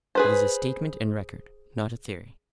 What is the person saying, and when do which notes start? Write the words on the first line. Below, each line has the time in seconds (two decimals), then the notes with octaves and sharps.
It is a statement and record; not a theory.
0.15 G#4 B4 C5